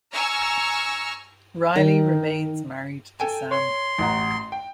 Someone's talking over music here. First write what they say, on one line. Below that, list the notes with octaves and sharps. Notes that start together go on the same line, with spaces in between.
Riley remains married to Sam.
G#5 A#5 C#6 E6 F6
D#3
A4 G5 G#5
C#5 C6
A1 F#4 A#5
G5